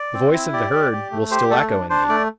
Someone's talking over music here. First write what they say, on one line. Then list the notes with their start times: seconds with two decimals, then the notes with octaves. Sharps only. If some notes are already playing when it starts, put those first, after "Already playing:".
The voice of the herd will still echo in thee.
Already playing: D5
0.14 C4
0.33 E4
0.53 G4 D5
0.73 G4
0.92 G4
1.11 A3
1.31 G4 C5
1.50 A3 A4
1.70 D4
1.90 D4 C5
2.09 A3 D5